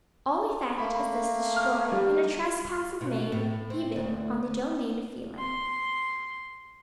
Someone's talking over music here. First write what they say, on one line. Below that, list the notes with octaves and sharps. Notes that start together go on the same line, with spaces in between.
All effect is thus destroyed, and a trespass is made even on the domain of feeling.
A3 A#3 B5
F6
G3
B2
A2
C4
D2
C6